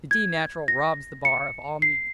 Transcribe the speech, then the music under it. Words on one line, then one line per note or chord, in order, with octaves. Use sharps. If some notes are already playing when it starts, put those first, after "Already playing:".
The D natural robs the bar of all meaning.
G#6
A#6
C#7
C7